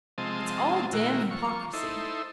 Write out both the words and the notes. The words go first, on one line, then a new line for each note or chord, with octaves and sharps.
It's all damned hypocrisy.
C3 F3 G#3 C4 D#5 A5
A#2 D#3 G#3 E4 F#4 A#4
F3 C#6
D#4 E4 A4 C5